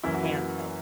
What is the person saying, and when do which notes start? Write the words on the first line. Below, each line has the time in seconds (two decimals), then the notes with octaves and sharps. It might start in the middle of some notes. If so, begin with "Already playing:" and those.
a handheld,
0.04 F#2 E3 A#3 E4
0.14 F#4
0.23 E4